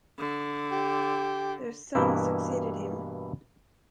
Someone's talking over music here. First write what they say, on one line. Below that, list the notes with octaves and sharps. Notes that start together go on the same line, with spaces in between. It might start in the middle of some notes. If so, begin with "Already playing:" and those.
Their son succeeded him.
D3
G4
G2 B2 E3 A#3 E4